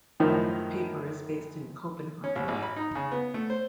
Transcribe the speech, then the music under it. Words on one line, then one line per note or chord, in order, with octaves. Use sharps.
The paper is based in Copenhagen.
F#2 A2 D#3 F3 A#4
C#4
C2
G#1
B5
D#4
C#3
B3
A3
C5